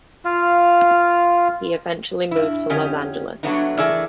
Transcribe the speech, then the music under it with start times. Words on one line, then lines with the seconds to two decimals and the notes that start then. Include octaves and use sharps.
He eventually moved to Los Angeles.
0.25 F4 F5
2.31 G2 E4
2.70 F2 D3 C#4 G4 D#5
3.43 F#3 G3 A3 B3 D4 D#4
3.78 E3 A3 G#4 A#4 D5 E5